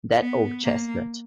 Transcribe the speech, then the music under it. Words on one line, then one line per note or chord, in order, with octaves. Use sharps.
That old chestnut.
B3
A#3